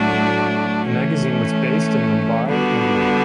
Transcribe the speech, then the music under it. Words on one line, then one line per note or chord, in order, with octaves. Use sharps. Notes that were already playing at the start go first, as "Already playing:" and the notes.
The magazine was based in Mumbai, India.
Already playing: A2 F#3 A3 D4 F#4
E3 A3 C#4
D3 G3 B3 F#4